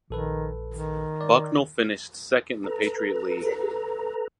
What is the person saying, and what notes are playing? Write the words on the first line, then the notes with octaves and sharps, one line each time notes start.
Bucknell finished second in the Patriot League.
A#1 D#3 A4 B4
D#3
D5
A4 B4 A#5